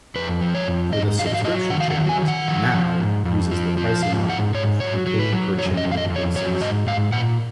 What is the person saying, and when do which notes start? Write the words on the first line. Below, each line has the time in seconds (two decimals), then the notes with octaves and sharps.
For the subscription channels, "Now" uses the pricing model of pay-per-channel basis.
0.16 F2 B4
0.41 F3
0.55 C#5
0.67 F2
0.93 G#2 D#5
1.19 F#3 F5
1.27 D#5
1.34 F5
1.44 F#3 D#5
1.70 D#3 F#5
1.80 F5
1.90 F#5
1.96 F#3
2.09 G#5
2.22 D#3
2.28 F#5
2.48 F3
2.74 F3
3.00 G#2
3.25 F2
3.51 F3
3.77 F3
4.03 G#2 F5
4.29 G#2 F#5
4.54 G#2 C#5
4.80 F#3 C#5
5.07 F#3
5.19 B4
5.32 F#3
5.58 F2 C#5
5.77 D#5
5.84 F2
5.92 F5
5.97 D#5
6.10 F2
6.16 C#5
6.35 F#3 C#5
6.61 G#2 D#5
6.87 G#2 F5
7.12 A#2 F#5